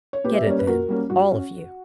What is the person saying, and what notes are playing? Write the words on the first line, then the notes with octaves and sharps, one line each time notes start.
'Get it, then--all of you.
C#5
A#2 G4 B4
E5
D5
G3 A#3 C#4 C#5
B4
A#2 F#4 A#4
G3 A#3 C#4
G2 F#4
C#4